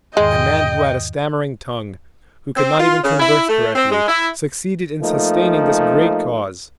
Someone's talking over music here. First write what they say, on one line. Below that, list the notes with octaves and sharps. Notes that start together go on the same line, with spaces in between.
A Man Who had a stammering tongue, Who could not even converse correctly, succeeded in sustaining this great Cause!
E2 G#2 D#3 G#3 D#5 G5
C4
F4
C#3
E4
A3
C4
G#3
E4
F3 A3 A#3 D#4